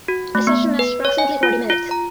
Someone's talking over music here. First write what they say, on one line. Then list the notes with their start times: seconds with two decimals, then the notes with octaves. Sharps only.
A session lasts approximately forty minutes.
0.08 F#4
0.35 A3
0.47 B3
0.79 B4
1.05 C#5
1.18 G#5
1.43 F4
1.70 F4
1.91 A#5